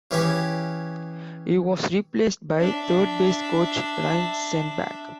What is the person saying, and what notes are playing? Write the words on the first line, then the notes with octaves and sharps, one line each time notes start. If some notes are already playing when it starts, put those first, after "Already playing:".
He was replaced by third-base coach Ryne Sandberg.
C#3 E3 C#4 G4
D4 E5